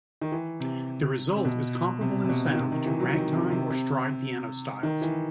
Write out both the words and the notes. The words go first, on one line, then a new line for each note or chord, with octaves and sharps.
The result is comparable in sound to ragtime or stride piano styles.
D#3
E3
C3
C3
B2
C3
C3
B2
D#3
C3
D#3
E3
F#3
D#3
C3
C3
C3
D#3
E3